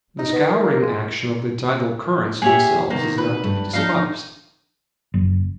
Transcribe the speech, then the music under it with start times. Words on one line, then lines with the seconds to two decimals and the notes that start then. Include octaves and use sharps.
The scouring action of the tidal currents themselves is not to be despised.
0.19 D#4
0.33 B3
0.47 D#3
0.64 A#3
0.82 G#3
2.42 A#3 G4 G#4 C#5 E5
2.90 C3 D#3 A#3 B3
3.18 B4
3.43 G2 A3
3.73 F3 D4 D#4 A4 F5
5.14 F#1